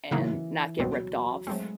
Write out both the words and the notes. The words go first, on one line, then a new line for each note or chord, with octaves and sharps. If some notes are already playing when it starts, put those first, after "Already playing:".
And not get ripped off.
C#3 E3 F#3 A#3 D#4
C#2 B2 F#3 G3 C4
F#3 G#3 A3 C4